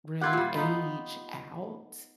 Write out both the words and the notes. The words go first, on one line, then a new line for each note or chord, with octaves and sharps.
really age out.
E4 F4 G4 F#5 F#6 G#6
A#2 G3
B3 D#4 F4 B5